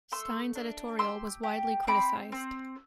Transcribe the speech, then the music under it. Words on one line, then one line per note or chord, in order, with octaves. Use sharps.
Stein's editorial was widely criticized.
A3 C6 E6
D4
G4 C6 E6
G4
C4 B5 D6
C4